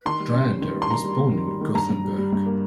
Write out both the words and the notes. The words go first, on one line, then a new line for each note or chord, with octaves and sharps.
Dryander was born in Gothenburg.
D#3 C6
G3
C#4
G3
D#3
G3
C6
D#3 A#5
G3
G3
D#3
G3
D#3
G2 A#5
G2
G3
G3
G2
A#3